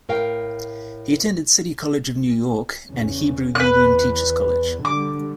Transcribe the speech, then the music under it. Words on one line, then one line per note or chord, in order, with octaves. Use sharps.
He attended City College of New York and Hebrew Union Teachers College.
A2 A#4 F5 G5
E2 C#3 C#4
E2 B4 F#6
D3 G3 D6